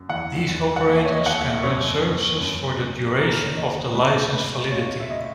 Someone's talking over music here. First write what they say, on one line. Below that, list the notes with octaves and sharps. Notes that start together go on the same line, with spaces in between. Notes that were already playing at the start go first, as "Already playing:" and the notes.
These operators can run services for the duration of the licence validity.
Already playing: F#2
E2 F#5
E2
F#5
D#2 E5
C#5
D#5
D#2 F#5
E5
F#2 C#5
F#2
F#2
F#2
D#2 A#4
B4
C#5
D#2 D#5
G#2 B4
G#2 B4
C#2 C#5
E5
D#5